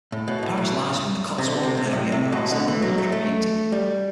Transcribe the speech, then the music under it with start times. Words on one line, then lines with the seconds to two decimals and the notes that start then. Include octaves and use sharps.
The parish lies within the Cotswolds Area of Outstanding Natural Beauty.
0.12 A2
0.28 B2
0.43 A2
0.57 B2
1.38 C3
1.48 D3
1.63 C3
1.77 C3
1.93 A2
2.12 C3
2.32 B2
2.52 D3
2.68 E3
2.82 F#3
2.98 A3
3.12 A3
3.72 G3